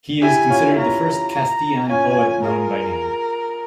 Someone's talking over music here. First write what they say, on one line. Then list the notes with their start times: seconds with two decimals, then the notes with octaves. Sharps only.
He is considered the first Castilian poet known by name.
0.22 E4 G4 G#5
0.49 C#4 F4
0.71 E4
0.77 C#4 F4 A#5
1.33 A#5
1.88 C#4 F4 G#5
2.16 C#4 F4
2.44 F4 G#4 A#4